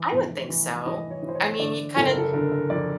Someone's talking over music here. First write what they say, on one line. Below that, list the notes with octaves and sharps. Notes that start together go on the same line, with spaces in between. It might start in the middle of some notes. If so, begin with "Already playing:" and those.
I would think so. I mean, you kinda
Already playing: E3
F1
E3
E3 D#5
C#5
E3
C5
C#5
D3 D5
F#1 A4
A#4
A4
D3 A#4
A#4
F2 D5